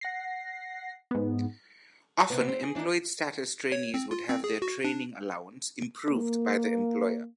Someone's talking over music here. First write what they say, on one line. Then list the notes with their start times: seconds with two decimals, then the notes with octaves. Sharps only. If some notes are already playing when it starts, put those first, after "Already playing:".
Often, employed status trainees would have their training allowance improved by the employer.
0.01 F#5 A#6 C7
1.11 G#2 B3
2.30 C3 B3
2.47 C4
2.62 G#4
2.75 E3 D4 D#4
3.72 C#5
3.94 C4
4.11 F4
4.29 C4
4.44 G#4
4.62 F#4
4.85 D4
6.10 A#3